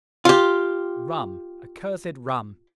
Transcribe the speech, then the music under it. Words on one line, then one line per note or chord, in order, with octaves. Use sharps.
RUM, accursed RUM!
F4 G4